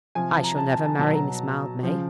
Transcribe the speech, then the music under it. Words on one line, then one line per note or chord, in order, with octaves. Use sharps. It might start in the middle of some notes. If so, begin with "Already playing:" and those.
"I shall never marry Miss Mildmay."
C3 F3 G#5
A5
A#5
A5
A5
A5
B2 F#3 A5
A#5
C#3 F3